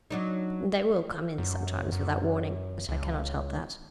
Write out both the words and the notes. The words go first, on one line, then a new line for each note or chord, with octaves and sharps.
They will come in sometimes without warning; but I cannot help that.
F#3 D4 D#4
F#2
F#2
C#2